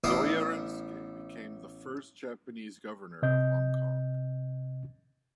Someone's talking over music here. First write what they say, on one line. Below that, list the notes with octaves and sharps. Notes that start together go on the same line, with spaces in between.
Isogai Rensuke became the first Japanese governor of Hong Kong.
A1 B3 E4 D5 F5 D#6
C3 D#5 G6